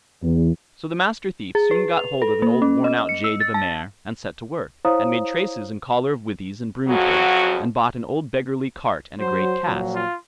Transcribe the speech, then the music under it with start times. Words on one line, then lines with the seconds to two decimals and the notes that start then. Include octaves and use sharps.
So the Master Thief soon got hold of an old worn-out jade of a mare, and set to work, and made traces and collar of withies and broom-twigs, and bought an old beggarly cart and a great cask.
0.22 E2
1.55 G#4
1.71 B4
1.97 F7
2.22 A4
2.42 A#3
2.62 C#4
2.84 D#5
3.09 C#7
3.24 E6
3.40 A6
3.54 A5
4.85 E4 C5 C#5 F5 A#5 D#6
6.88 F2 C#3 F#3 F#4
9.20 F#3 C5
9.65 A#2 F3 F#3
9.95 F4